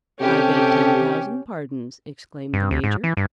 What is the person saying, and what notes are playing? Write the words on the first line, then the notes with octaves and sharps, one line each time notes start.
"I beg ten thousand pardons," exclaimed the Major.
C3 C#4 G4 A4
G2
D2
G#2
E3
G2